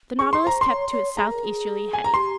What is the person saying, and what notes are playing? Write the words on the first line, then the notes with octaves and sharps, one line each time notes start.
The Nautilus kept to its southeasterly heading.
G#4 C#6
C6
C5 A#5
C6
C#5
C#5
G#4 A#5
A#4
G#4
G#5
A#5
G4 C6